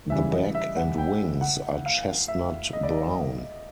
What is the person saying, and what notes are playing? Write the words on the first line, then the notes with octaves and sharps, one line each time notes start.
The back and wings are chestnut brown.
C#3 E3 G3 E5
D#5
E5
F#5
G5
F#5
F5
E5
D#5
D5